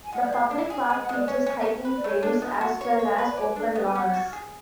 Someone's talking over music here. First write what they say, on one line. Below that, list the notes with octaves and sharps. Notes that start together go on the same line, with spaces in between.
The public park features hiking trails, as well as open lawns.
G#5
G#3 F#5
D5
F3 F5
D4
G#4
G#3 G#5
F#5
G#3
D5
C#4 C#5
C#4
C#4
B4
D5
A3 C#5
D4
B3
F#4
C#5
C#5
B4
D5
C#5 D5
B4
D4 A4
A4
B3 B4
G#5
C#4 F#5
F#4
G#4